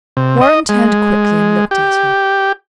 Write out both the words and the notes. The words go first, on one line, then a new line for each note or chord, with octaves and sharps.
Warren turned quickly and looked at her.
C3
D#5
G#3
G4